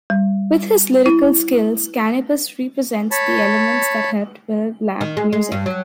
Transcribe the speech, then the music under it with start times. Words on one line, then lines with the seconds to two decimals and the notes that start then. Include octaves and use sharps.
With his lyrical skills, Canibus represents the elements that helped build rap music.
0.10 G3
1.06 E4
3.11 C#5 A5 B5
5.01 D#3
5.17 G#3
5.33 G#3
5.52 G2
5.66 F#3